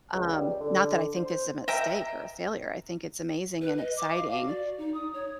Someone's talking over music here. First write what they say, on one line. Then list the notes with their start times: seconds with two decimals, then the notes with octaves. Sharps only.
Um, not that I think this a mistake or a failure, I think it's amazing and exciting.
0.13 C#2
0.33 G3
0.61 D3
1.16 C5
1.68 D#5 E5 G5 A#5
3.61 B4
3.78 D#5
3.97 D6
4.17 F5
4.32 F#4
4.47 D5
4.78 D#4
4.94 D#6
5.14 C#5